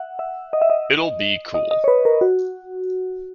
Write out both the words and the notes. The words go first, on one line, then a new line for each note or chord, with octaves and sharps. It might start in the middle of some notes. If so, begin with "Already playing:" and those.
It'll be cool.
Already playing: E5 F#5
E5
D#5
E5
D#5
D#5
D#5
C#5
B4
A#4
F#4